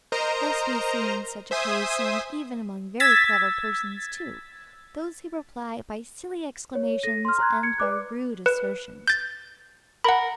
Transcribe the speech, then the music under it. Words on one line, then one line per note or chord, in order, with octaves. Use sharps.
Thus we see, in such a case, and even among very clever persons too, those who reply by silly exclamations and by rude assertions.
A#4 C5 D#5 A#5
C5 E5 G#5 D#6
E6 G#6 A6 B6
C#5
A4 A#6 D#7
C6 F6
A#5 C6 F#6 G#6
G#6 C#7
B4 D5 D6 F#6
B4
G6 A6
A#4 F#5 B5